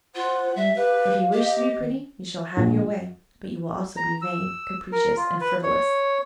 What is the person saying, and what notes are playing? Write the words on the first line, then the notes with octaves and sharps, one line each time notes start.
If you wish to be pretty you shall have your way, but you will also be vain, capricious, and frivolous.
F4 C5 F#5
G3 E5
G4 B4 F5
G4 D#5
D#3
A#1
A#5
E6
A#4
F4
B4
C#5